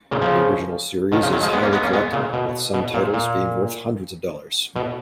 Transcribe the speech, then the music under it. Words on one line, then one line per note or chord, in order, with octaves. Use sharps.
The original series is highly collectible, with some titles being worth hundreds of dollars.
A#2 C#3
C#3 F3
B2 D#3
C#3 F3
D#3 F#3
F3 G#3
G#3 B3
A#3 C#4
G#3 B3
A#3 C#4
G#3 B3
A#2 C#3
B2
B2
A#2
A#2
B2